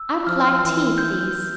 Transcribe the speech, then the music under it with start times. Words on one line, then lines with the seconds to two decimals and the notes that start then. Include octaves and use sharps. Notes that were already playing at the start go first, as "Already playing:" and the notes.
"I would like tea, please."
Already playing: E6
0.27 F3 F6
0.63 E3
0.98 G6